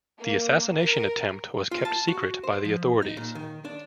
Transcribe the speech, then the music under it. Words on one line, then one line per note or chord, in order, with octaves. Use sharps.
The assassination attempt was kept secret by the authorities.
A#3
A#4
F4
A5
F#4
C5
F3
D#4
A#2
D#3
D4